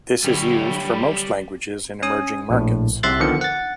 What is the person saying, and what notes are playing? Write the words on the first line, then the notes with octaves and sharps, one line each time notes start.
This is used for most languages in emerging markets.
D3 F#3 G3 E4 C#5
C#4 G#5 D#6
A#1 A2
C2 C3 E5 C6 F#6 A6
D3 D#3 F3 B3 C#7
F#5 A6